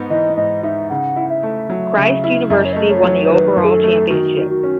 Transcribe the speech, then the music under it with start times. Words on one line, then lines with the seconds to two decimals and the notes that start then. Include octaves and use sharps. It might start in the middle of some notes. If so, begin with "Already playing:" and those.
Christ University won the overall championship.
Already playing: G#2 B3 D#4
0.10 E3 D#5
0.37 G#2 D#5
0.63 D#4 E5
0.90 C#3 F#5
1.16 E4
1.30 E5
1.43 A3
1.70 F#3
1.97 C#3
2.24 E4
2.50 F#2 E5
2.57 D#5
2.65 C#5
2.73 A3 D#5
2.90 C#5
3.04 F#3
3.25 C#5
3.30 D#3 B4
3.56 F#2
3.64 G#4
3.70 A4
3.83 A3
4.10 D#3 F#4
4.37 D#3
4.50 F#4
4.63 C#4